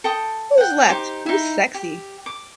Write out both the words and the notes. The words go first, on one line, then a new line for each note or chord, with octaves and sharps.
Who's left who's sexy?
A4 G5 D#6
F#5 G5
D#4 G4 C5 D6
D#4 E4
G4
D6